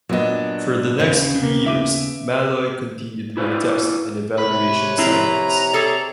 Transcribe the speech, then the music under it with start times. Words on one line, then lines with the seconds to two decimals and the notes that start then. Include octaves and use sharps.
For the next two years, "Maloy" continued her test and evaluation assignments.
0.09 A#2 F#3 B3 D4 D#5
0.99 D#2 C#3 B3 C5
1.43 A#3
1.66 E5 D6 D#7
3.37 E4 B4 C5 D5
4.38 C3 B4 C#5
4.98 F3 C4 E4 A#5
5.73 G#4 A4 D5